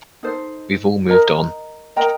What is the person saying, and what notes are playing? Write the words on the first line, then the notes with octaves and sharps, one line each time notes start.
We've all moved on.
D#4 A4 C5
A#4 D#5 A#5
A#4 D#5 G5 A#5